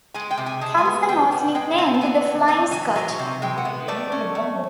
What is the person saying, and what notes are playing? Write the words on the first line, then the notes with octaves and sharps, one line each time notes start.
Thomson was nicknamed the Flying Scot.
G#3 G#5
G5
C3
G#5
G#3 A5
G#5
B3
G#5
G3 G5
B3
G#3 G5
C4 G#5
A5
B3 G#5
E3
C4 G#5
E3 G#5
F#3 G#5
C3
G#3 G5
F#5
B3
A3 D5
C#4
A3